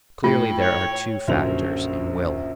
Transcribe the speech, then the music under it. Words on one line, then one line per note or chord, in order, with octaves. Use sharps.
Clearly there are two factors in will.
A2 F4 G5
C#5
A#1 F#2 D3 C5 F7